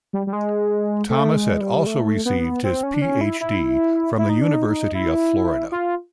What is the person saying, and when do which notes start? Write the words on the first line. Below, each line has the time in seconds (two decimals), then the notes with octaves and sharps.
Thomas has also received his Ph.D. from the University of Florida.
0.13 G3
0.27 G3
0.33 G#3
1.10 A3
1.35 G#3
1.61 G3
1.86 A3
2.26 B3
2.64 C4
2.83 C#4
2.94 D4
3.02 C#4
3.21 E4
3.41 E4
4.18 E4
4.29 D#4
4.41 D4
4.53 D#4
4.95 E4
5.72 F4